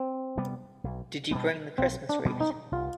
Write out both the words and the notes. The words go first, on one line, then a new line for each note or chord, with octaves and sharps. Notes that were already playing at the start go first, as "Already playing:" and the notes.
Did you bring the Christmas wreath?
Already playing: C4
C3 G3 B3
B1
B2 G3 B3
B1 C4
D4
B2 G3 B3
D#4
C2 F4